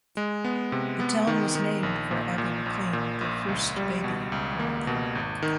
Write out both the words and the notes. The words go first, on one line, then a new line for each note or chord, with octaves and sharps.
The town was named for Abby McLean, the first baby born there.
G#3
B3
C3
B3
D#3
D#3
A#1
A#2
A#2
A#1
A#2
A#1
C#2
G3
B2
C#2
A#3
B2
G#1
D#3